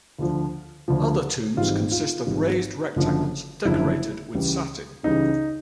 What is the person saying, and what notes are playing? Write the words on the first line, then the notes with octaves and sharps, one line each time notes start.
Other tombs consist of raised rectangles, decorated with satin.
D2 D3 F3
D2 D3 F3
G#1 G#2 E3 G3 F4
F4
G#1 G#2 E3 G3
F#1 F#2 D3 F3
F#1 F#2 D3 F3 E4
C#2 C#3 E3 G3
C#2 C#3 E3 G3 D#4